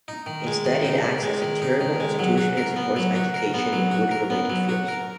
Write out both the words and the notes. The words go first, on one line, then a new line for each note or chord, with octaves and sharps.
Instead, it acts as a charitable institution and supports education in wood-related fields.
D#4
D#3
G#3
D#3
D#4
D#3
G#3
D#3
D#4
D#3
G#3
F#3
F#4
A#4
B3
F#3
F#4
A#4
B3
F#3
F#4
A#4
B3
F#3
F#4
A#4